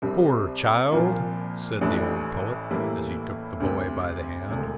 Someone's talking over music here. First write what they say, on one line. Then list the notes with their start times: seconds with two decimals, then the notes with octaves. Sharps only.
"Poor child!" said the old poet, as he took the boy by the hand.
0.02 C2 C3 G3 C4
0.92 C2 A#2 F3 A#3 F4
1.81 A1 A2 E3 G3 D4
2.71 A2 E3 G3 A#3 E4
3.60 D2 C3 G3 C4
4.49 E1 D2 D3